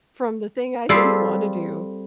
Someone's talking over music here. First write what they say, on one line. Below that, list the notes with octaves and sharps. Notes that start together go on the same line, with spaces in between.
from the thing I didn't wanna do."
G3 C4 F4 G#4 A4